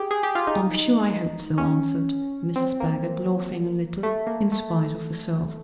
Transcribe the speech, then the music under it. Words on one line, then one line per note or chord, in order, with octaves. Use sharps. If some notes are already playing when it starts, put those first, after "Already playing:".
"I'm sure I hope so," answered Mrs. Baggert, laughing a little in spite of herself.
Already playing: G4 G#4
G#4
G4
F4
D#4
C#4
C4
A#3
A3
A#3
A3